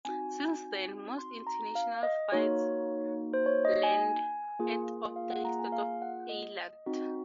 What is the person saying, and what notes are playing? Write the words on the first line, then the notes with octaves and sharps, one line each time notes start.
Since then, most international flights land at Ovda instead of Eilat.
C4 D#4 F#4 G#5
C6
A#5
F5
D#5
A#3 D#4 F#4 C#5
C5
C#5
D#5
G#5
A#3 F4 G#4
F5
F#5
A#5
G#5
F5
F#5
D#5
C4 D#4 F#4